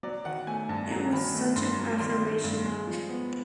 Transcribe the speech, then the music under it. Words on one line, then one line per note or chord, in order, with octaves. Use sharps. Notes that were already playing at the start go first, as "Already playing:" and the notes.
It was such an affirmation.
F#3 D5
D#3 F#5
A3 G#5
G2 A5
F#3 A#5
D#3 B5
A3
G2 C6
F#3
D#3 C6
A3
G2
G#3
F3
B3